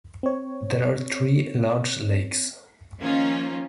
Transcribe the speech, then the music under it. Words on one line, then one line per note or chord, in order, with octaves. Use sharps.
There are three large lakes.
C4 C#5
D#3 F3 A#3 C#4 D#4 F4